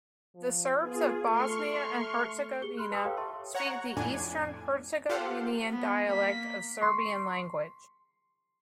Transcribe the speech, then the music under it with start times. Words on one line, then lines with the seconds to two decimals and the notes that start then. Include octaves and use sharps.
The Serbs of Bosnia and Herzegovina speak the Eastern Herzegovinian dialect of Serbian language.
0.35 F3
0.81 B3 F4 G#4
1.28 A3 C6 C#6 F6
2.62 G4 G#4 C#7 G7
2.77 B5 C6 F6 F#6
2.91 B4 A5 C6 D#6 E6
3.05 G4 A4 B4 C#5 F5 G5
3.17 E5 A5 C6 C#6
3.55 C#5 F#5 A#5 C#6
3.97 F2 A2 D4 G#5
5.09 F4 G4 A4 C5 F5 F#5
5.70 B3
6.07 A#3 B6
6.81 C6 C#6